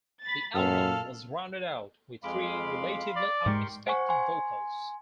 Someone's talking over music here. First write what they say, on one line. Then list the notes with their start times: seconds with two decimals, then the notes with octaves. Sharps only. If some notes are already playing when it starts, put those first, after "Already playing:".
The album was rounded out with three relatively unexpected vocals.
0.23 B5 A6
0.54 F#2 A#2 A4 F5 F6
2.24 F2 G#3 F5 B5 C6 D6
3.16 D5
3.46 G#2 G#3 G4 A#4 C6 C#6
3.87 C5 F#5 G#5 C#6
4.09 G#5 C6